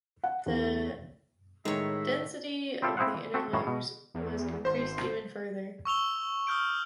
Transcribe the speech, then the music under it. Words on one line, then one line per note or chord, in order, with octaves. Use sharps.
The density of the inner layers was increased even further.
F#5
E2
A2 D#3 G#3 C#5 E5
C4 E4 F4 G4 A4
C4 E4 G#4 C5 F5 F#5
E3
C4 F#4 A4
F#2 A2 C#3 E3 C#5 A5
B2
E2
G#1 C5 C6
C#6 E6 F7 G7
D#6 F6 G6 D7